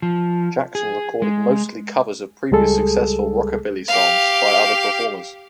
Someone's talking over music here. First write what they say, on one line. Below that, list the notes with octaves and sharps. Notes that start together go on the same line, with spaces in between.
Jackson recorded mostly covers of previously successful Rockabilly songs by other performers.
F3
G#4
G#3
C#2 G3 G#3 G#4 A4
G4 F5